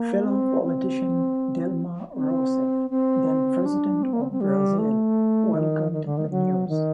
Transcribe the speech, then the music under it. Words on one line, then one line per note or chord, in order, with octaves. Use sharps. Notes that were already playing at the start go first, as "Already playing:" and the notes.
Fellow politician Dilma Rousseff, then president of Brazil, welcomed the news.
Already playing: A#3
C4
C4
C4
C4
D4
C4
A#3
C4
C4
G3
A3
D#3
D#3
D3
D#3
F#3
D#3